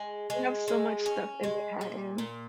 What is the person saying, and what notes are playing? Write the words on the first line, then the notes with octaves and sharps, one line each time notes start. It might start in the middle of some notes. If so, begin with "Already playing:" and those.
they have so much stuff in Manhattan.
Already playing: G#3
G#3
G#3
C#4
G#3
A#2
A#2